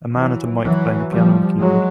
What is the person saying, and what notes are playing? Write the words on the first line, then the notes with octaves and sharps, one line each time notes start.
A man at a mic playing a piano and keyboard.
E3 F#3
E3 F#3
F3 G3
F#3 G#3